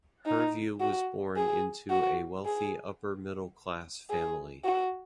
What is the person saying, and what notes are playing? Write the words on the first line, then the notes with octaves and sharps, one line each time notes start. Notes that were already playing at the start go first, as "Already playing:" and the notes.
Hervieu was born into a wealthy upper-middle-class family.
D#4
F#4
G#4
F#4
G#4
G#4
F#4